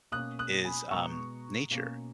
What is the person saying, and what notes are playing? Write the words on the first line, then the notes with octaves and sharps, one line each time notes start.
is, um, nature.
B2 A#3 C#4 D#6 F#6
D#6 F#6
G#5 B5
B2 G#3 B3 A#5 C#6
B2 A#3 C#4